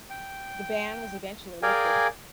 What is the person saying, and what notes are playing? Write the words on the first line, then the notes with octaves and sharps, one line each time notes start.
The ban was eventually lifted.
G5
G#4 A#4 D5 F5 G5 G#5